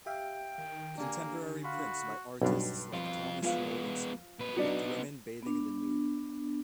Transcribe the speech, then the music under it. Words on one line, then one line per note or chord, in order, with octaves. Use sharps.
Contemporary prints by artists like Thomas Rowlandson depict women bathing in the nude.
G4 E5 F5 G5
D#3
D3 A#3 D4 G4 G#5
F#4 F5 B5 C6
B1 G2 B2
F2 F4
F3 G#3 B3 F5
A#2 B4
F#3 B3 D4 D#4
B3 D4